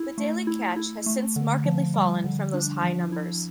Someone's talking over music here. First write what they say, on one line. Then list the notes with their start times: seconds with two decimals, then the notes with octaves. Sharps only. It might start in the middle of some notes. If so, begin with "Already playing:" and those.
The daily catch has since markedly fallen from those high numbers.
Already playing: E4
0.18 A3
0.47 E4
0.76 E4
1.06 A3
1.36 D3
1.65 F3
1.94 G3
2.24 D3
2.54 D4
2.83 F3
3.12 E4